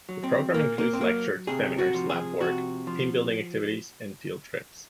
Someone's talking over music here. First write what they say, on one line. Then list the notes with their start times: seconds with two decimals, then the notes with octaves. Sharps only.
The program includes lectures, seminars, lab work, team-building activities and field trips.
0.09 F#3
0.24 C4
0.54 A#2 A#3
0.78 A#3
0.93 C4
1.01 F#3 A#3
1.47 C3 G#4
1.78 F#4
1.94 F3
2.10 G#4
2.40 C3 F#4
2.87 F3